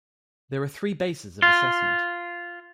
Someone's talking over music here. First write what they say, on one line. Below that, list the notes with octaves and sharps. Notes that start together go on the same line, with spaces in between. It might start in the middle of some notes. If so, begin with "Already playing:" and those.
There are three bases of assessment.
F4